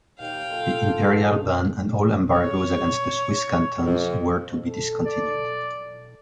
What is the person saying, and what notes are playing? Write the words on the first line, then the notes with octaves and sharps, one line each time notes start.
The imperial ban and all embargoes against the Swiss cantons were to be discontinued.
D#2 F5 G5
F4 A4
C#5
F2
A4
D5